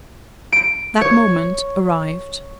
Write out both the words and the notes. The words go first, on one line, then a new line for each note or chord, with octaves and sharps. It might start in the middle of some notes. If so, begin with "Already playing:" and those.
That moment arrived.
D7
C#5